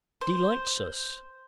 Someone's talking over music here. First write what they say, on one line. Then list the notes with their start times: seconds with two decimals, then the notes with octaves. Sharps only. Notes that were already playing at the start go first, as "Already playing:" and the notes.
Delights us.
0.21 C5